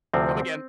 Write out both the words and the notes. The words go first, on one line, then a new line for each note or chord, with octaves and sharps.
come again."
D2 C3 F3 C4